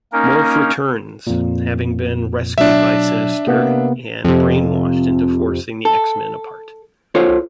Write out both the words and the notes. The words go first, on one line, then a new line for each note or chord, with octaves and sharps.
Morph returns, having been rescued by Sinister and brainwashed into forcing the X-Men apart.
A#3 C#4 D#4 A#4
F2 A#2
B2 F#3 D4 E5
C3 A#3 B3
F2 C3
A4
F4 A4 C5 C#5